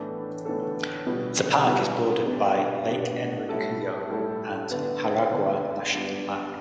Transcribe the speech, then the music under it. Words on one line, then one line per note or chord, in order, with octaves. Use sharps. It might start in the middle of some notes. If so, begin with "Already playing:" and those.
The park is bordered by Lake Enriquillo and Jaragua National Park.
Already playing: A2 E3 B3 D4 A4
A2 E3 B3 D4 A4
B2 G3 D4 B4
B2 G3 D4 B4
B2 B3 D4 G4
B2 B3 D4 G4
A2 G3 E4 A4
A2 G3 E4 A4
D3 B3 D4 B4
D3 B3 D4 B4
G3 B3 D4